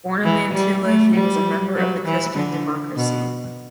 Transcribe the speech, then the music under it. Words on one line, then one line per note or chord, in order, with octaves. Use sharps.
Born in Mantua, he was a member of the Christian Democracy.
E3
G3
A3
G3
F#3
E3
D3
B2